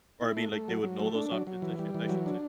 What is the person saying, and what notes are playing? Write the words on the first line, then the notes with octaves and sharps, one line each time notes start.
or I mean, like, they would know those options I should I should say.
E4
A3
A3
F#3
F#3
A3
D4
F#3
F#3
E3
G3
E3
F#3
D4